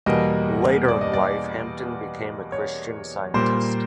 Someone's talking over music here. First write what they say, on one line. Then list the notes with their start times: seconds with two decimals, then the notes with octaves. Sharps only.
Later in life Hampton became a Christian Scientist.
0.06 E2 B2 G3 A#3 D#5
0.88 D5
1.01 D#5
1.13 D5
2.52 C#5
3.34 A#2 G3 A#3 C5